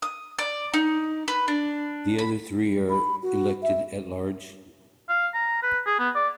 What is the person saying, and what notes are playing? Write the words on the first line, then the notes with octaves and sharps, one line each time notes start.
The other three are elected at-large.
D#6
D5
D#4
B4
D4
B5
B5
F#4
E5
F5
A#5
B4
G#4
B3
D5